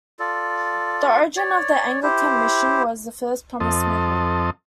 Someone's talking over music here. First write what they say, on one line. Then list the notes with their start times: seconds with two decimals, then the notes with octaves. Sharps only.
The origin of the Anglican Mission was the First Promise Movement.
0.19 F4 A4 D5
1.37 C#5 D5
2.03 E4 G4 C5
3.60 F2 C4 A4 D#5